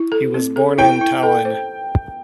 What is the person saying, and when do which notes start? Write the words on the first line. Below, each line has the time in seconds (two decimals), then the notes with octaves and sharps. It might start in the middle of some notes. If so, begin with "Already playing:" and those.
He was born in Tallinn.
Already playing: E4
0.12 A4
0.34 C4
0.56 A4
0.78 E4 G5
1.01 E4
1.23 A4
1.45 C5